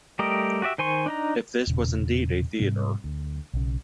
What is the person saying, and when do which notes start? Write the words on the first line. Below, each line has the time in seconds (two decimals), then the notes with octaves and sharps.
If this was indeed a theatre.
0.19 G3 A3 G4 A#4 D#5
0.62 F#4 G4 D5 E5
0.78 D#3 C5 G#5 C6 C#6
1.06 D4 D#4 A#5
1.67 E1 A#2 C#3
2.59 G#2 C3 G3 C4
3.04 D2
3.54 B1 C#3